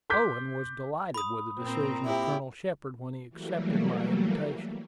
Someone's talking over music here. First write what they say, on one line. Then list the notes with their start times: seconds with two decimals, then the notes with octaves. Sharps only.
Owen was delighted with the decision of Colonel Shepard when he accepted my invitation.
0.10 C6 D6 F#6 G6 B6
1.14 B5 D#6
1.61 A#2 C4 A#5
2.04 E4 G4
3.29 E3 F#3 G3 A3 A#3